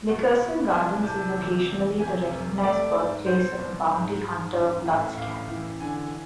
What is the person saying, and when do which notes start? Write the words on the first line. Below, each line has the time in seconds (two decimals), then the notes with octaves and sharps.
Nickerson Gardens is occasionally the recognized birthplace of the Bounty Hunter Bloods gang.
0.09 B2
0.41 B3
0.72 C2 G#5
1.03 C3 A5
1.35 E2
1.68 E2
1.99 C3 G#5
2.30 F1
2.63 A3 D5
2.95 G#2
3.26 B2 C5
3.58 C2
3.90 G#2
4.22 G#2
4.54 A1
4.86 A2
5.17 A1 F5
5.49 E3
5.80 D3 G#5